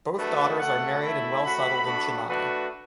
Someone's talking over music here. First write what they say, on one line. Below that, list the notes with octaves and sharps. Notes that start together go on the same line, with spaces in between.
Both daughters are married and well settled in Chennai.
A3 D4 F#4 B4
A3 F#4 F#5
A3 E4 B5
A3 F#4 B5
A3 D4 F#4
A3 D4 F#4 B4